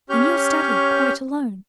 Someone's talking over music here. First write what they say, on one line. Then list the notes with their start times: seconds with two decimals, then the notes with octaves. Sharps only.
'In your study, quite alone.
0.10 C#4 G4 C#5 F6 G6